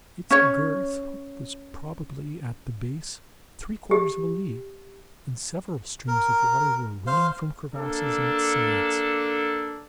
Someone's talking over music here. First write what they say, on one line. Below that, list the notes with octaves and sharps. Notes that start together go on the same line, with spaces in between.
Its girth was probably, at the base, three-quarters of a league, and several streams of water were running from crevices in its sides.
C#4 C#5
G4
A#4
C5 F5
A#3 D4 A4